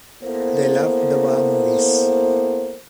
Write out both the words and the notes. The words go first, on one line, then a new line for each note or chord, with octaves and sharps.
They loved the war movies.
A#3 B3 E4 A4 C5